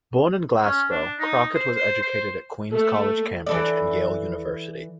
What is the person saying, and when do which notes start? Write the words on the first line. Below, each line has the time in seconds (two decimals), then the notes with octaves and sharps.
Born in Glasgow, Crockett was educated at Queens' College, Cambridge and Yale University.
0.64 C#4
0.91 D4
1.20 D#4
1.55 C5
1.76 C5
2.02 C5
2.71 A3
3.47 E3 A4 D5